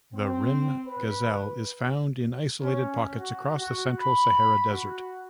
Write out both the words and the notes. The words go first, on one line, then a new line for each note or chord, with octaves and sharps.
The rhim gazelle is found in isolated pockets across the central Sahara Desert.
C4
B4
C#4
F#4
F#4
B5
F#4